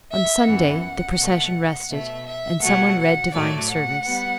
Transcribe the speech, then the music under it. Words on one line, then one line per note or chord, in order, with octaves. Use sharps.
On Sunday the procession rested and some one read divine service.
E5
F#2 E3 B3 F#5
B2 A3
B2 A3 E5
E5
B2 F#3 A3 F#5
F#5
A2 F#3 A3 D5
F#5
G3 B3